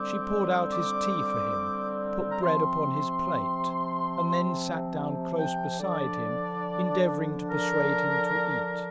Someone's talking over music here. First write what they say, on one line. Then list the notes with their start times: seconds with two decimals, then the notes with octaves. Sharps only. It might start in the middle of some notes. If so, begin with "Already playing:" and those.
She poured out his tea for him, put bread upon his plate, and then sat down close beside him, endeavouring to persuade him to eat.
Already playing: D3 G3 C4 D6
0.70 D6
2.31 A#5
2.40 C3 F3 C4 C6
5.37 G5
5.79 D3 F3 D4 D5
7.48 A#4